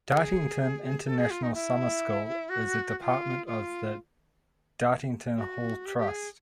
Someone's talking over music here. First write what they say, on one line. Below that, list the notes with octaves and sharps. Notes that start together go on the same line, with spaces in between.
Dartington International Summer School is a department of The Dartington Hall Trust.
G#4
A4
G#4
F4
D#4
E4
F#4
F#4
F4
F4
F#4
G4
G4
G#4